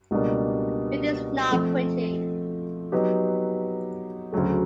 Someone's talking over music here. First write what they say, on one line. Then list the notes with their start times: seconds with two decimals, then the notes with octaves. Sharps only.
It is not pretty.
0.11 C#2 B2 G3 A#3 D4
1.51 F3 A3 C4
2.92 F#3 B3 D#4 G4 B4
4.32 D2 C#3 F#3 A3